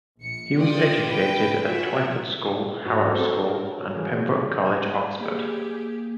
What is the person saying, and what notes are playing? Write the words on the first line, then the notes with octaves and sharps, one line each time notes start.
He was educated at Twyford School, Harrow School and Pembroke College, Oxford.
A#1 C#7
F4 D5 G5 D#6
B4 G5
F3 F4 F#4 G#4 C#5 E5
G#2 F#4 A#5
C4 A4 C5
F#3 A#4
E3 G#4 A#4
A#3 G4 G#4